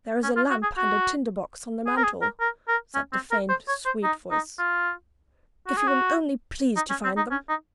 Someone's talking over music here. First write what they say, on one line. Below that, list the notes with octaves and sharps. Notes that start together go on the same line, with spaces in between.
"There is a lamp and a tinder-box on the mantel," said the faint, sweet voice, "if you will only please to find them."
C#4
F4
F#4
G#4
F#4
G#4
A#4
G#4
A#4
A#4
A#4
C#4
C4
A#4
C5
C#5
C5
D#4
D#4
F4
F#4
G#4
F#4
D#4
C#4
C4
D#4
C#4
D#4